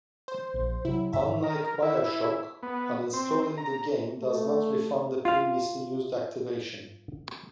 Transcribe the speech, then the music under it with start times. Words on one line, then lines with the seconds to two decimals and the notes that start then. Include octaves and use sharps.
Unlike "BioShock", uninstalling the game does not refund a previously used activation.
0.28 C5
0.54 A#1
0.85 C3 F#3 E4
1.13 G#2 B2 D3 E5
1.44 A#4
1.82 E4
2.63 B3
3.13 C4
3.58 A#5
4.21 A3
5.25 F4 F5